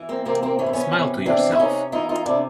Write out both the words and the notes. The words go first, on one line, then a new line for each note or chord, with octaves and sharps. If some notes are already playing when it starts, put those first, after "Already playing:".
Smile to yourself.
Already playing: E3
A#3 C4
C3 A#3 C4
A#3 C4
E3 C#4
C4
B3 C#4
C3
E3 C4 D4
E4
C3 C#4 D#4
E3 D#4 F4
D#4 F4
C3 D4 E4